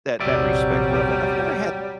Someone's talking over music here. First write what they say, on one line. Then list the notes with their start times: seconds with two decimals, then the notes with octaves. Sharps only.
That that respect level, I've never had
0.20 A#1 E2 C3 F#3 G3 D5 E5